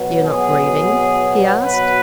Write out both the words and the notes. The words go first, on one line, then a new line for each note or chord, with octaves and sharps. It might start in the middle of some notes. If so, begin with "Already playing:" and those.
"You're not grieving?" he asked.
Already playing: B2 F#3 B3
G#4
B4